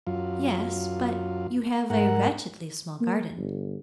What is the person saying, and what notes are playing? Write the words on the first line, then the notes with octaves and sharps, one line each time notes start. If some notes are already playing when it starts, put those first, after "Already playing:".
"Yes; but you have a wretchedly small garden."
F#2 F4
G#2 A#4 F#5
A#3
G1